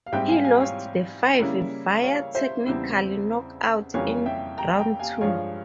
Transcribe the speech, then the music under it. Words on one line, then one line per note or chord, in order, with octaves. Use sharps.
He lost the fight via technical knockout in round two.
F5
G#2 G3 C4 E5 G5
F5 G#5
F5 G#5
C#5 F5
C#3 G3 A#3 C#4 E4
C#5 F5
C5 E5
E2 C#3 G3 C4 E4
F2 C#3 E3 G3 A#3 C#5 F5
E5 G5
G5 A#5
G5 A#5
F5 G#5
G2 F3 G#3 C#5 F5